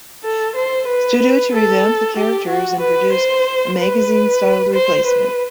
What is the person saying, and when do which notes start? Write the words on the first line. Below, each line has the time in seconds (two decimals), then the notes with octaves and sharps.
Studio to revamp the characters and produce a magazine styled replacement.
0.24 A4
0.56 C5
0.88 B4
1.52 A4
2.17 G4
2.49 F#4
2.80 B4
3.13 C5
3.78 B4
4.74 C5
5.06 B4